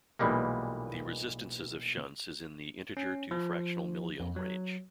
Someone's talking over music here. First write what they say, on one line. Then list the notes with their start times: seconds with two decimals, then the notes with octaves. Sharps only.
The resistances of shunts is in the integer to fractional milliohm range.
0.19 B1 A#2 E3 G3 G#3 A#3
2.97 C#4
3.31 F3
4.20 F2
4.36 F#3